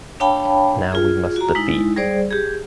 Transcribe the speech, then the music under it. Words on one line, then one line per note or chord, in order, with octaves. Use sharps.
Now we must defeat.
D4 C#5 F5 G5 A5 B5
F4 G#4
F#4 A#5
G#3 D#4 E4
G3 G#4 C5 D5
G4 G#4